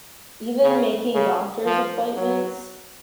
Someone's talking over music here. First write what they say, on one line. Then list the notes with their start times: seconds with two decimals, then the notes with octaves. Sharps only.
even making doctor's appointments.
0.63 C#3
1.14 C#3
1.65 F3
2.16 F#3